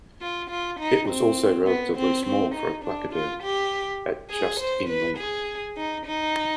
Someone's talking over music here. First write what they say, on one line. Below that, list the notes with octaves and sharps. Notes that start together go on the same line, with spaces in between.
It was also relatively small for a placoderm, at just in length.
F4
F4
D#4
C4
B3
C4
C4
D#4
D4
F4
G4
G#4
C5
B4
G#4
D#4
D#4